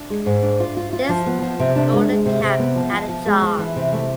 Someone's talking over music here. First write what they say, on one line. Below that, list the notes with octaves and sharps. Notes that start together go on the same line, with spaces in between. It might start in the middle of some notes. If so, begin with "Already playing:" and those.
This Golden Cap had a charm.
Already playing: D4
G#3
G#2
D4
F4
F4
F4
F3
B3
F3
C3
D4
G#3
G#3
C3
C3
B3
F3
F3
F3
G#3
F3
E3
C3
A3